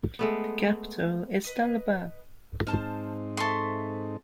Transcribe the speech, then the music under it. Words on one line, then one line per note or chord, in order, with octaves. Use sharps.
The capital is Dalaba.
G#3 A3 B3
B4 D#5
G#2 C4 D#4 C5 A5 F6
A4 E5 C6 C#6 D#6